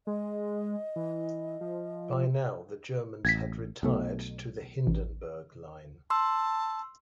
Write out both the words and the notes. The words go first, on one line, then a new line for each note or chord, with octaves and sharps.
By now the Germans had retired to the Hindenburg Line.
G#3 D#5
E3
F3
A1 G#6 A#6 B6
B1 B2 A3
A1
A5 C6 E6